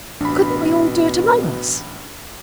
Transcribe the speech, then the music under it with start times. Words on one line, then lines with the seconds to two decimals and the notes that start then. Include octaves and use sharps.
"Couldn't we all do it among us?"
0.21 A1 B2 D4 B5